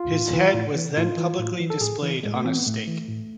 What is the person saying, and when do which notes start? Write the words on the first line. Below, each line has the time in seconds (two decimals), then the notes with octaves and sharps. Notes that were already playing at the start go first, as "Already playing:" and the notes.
His head was then publicly displayed on a stake.
Already playing: F4
0.11 A2
0.33 E3
0.54 A2
0.75 E3
0.97 A2 F4
1.18 E3
1.39 A2
1.60 E3
1.70 A4
1.81 A2 G#4
2.03 E3
2.23 A2 G#3
2.34 A3
2.45 E3 C4
2.55 B3
2.66 A2 A3
2.87 E3
3.09 A2